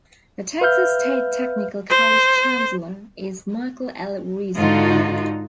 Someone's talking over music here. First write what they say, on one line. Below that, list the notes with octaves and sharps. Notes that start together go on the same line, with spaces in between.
The Texas State Technical College chancellor is Michael L. Reeser.
B4 E5 F5 F6 G6
C5
G#2 D3 D#4 F4 F#4